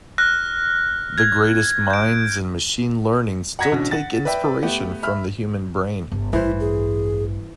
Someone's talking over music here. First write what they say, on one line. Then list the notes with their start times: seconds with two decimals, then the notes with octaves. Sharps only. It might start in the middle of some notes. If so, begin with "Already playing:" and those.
The greatest minds in machine learning still take inspiration from the human brain.
0.18 F6 F#6 A#6
1.18 G#6
1.90 G6 D7
3.59 F#5 A#5 G#6 A#6 B6 C#7
3.72 A1 D2 B2 D3 F#3
3.91 F#5 A6
4.25 B4 D5 E5 G5 B5
4.63 A3 B3 G4
5.03 E5 B5 F6
6.12 G1
6.33 A1 G2 E3 E4 C5
6.60 G#4